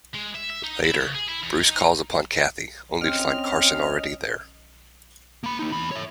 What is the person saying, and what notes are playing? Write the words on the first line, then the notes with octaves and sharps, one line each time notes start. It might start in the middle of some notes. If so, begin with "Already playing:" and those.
Later, Bruce calls upon Kathy, only to find Carson already there.
G#3
E5
E5
D#4
E4
C#3
G#4
E4
E2
D#4
C4 C#4 D#5 F6
A#3 B5
A#3 D#4
E2 B5
C#5 E5